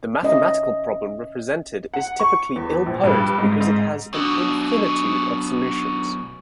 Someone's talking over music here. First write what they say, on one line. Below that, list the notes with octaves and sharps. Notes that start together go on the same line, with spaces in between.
The mathematical problem represented is typically ill-posed because it has an infinitude of solutions.
C#4 D#5 E5
F#5
C#6
E2
A#1
G2
G#2
G#2
F#2 B2 D4 F#4 E6